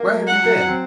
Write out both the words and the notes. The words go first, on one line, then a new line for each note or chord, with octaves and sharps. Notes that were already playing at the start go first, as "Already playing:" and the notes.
"Where have you been?"
Already playing: A#3
F#3
F#5
F#3
C4